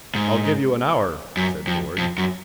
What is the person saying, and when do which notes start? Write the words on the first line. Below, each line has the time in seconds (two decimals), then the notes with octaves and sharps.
"I'll give you an hour," said Borg.
0.15 G#2
1.37 F#2
1.67 F2
1.98 F2
2.18 F#2